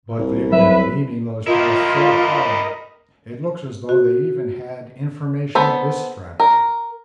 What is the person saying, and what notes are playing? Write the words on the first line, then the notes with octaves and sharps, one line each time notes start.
But they've been beaming those paths so hard, it looks as though they even had information of this strategy.
C2
F#3 B4 E5
E4 F4 G4 A#4 D#5
F#4
B3 A4 C5
A#4